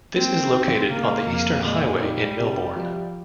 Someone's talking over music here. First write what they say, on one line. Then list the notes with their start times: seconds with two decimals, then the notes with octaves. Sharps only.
This is located on the Eastern Highway in Melbourne.
0.14 A#3 C4
0.52 D#4
0.89 C#3 A#3
1.26 F2
1.64 A#2 G#3
2.01 G3 D#4
2.39 C3
2.76 F3